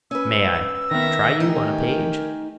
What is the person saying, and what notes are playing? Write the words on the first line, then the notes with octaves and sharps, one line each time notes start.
"May I try you on a page?"
C#4 B4 E6
D#3 B3 E5 A#6
A3 D#4 G4 G#5
A#4